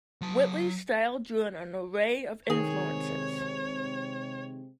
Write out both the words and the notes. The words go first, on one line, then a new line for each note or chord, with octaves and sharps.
Whitley's style drew on an array of influences.
F#3 A5
C3 D#3 G#3 C4 G#4 C#5